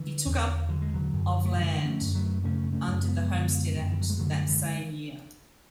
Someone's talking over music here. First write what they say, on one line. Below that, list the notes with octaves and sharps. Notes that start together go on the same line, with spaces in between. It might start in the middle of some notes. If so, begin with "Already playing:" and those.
He took up of land under the homestead act that same year.
Already playing: D3 E3
E2
D3 F#3
G#3
D3 F#3
F#2
A3
D3 E3 G#3
A3 C#4
F#2
F#3 A3
C#3 A3 C#4
A3 C#4
F#2
G#3 B3
D3
F#2
E3
F#3
G#3
D3 F#3 A3
E3 G#3